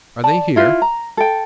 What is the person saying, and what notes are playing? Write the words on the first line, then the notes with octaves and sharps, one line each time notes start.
"Are they here?"
D5 A5
E4 F4
A#5
A4 G5